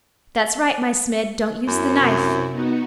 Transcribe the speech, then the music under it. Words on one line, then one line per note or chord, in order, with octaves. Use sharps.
That's right, my Smid, don't use the knife!
F#2 E4
C3 E4
B3 D#4 F#4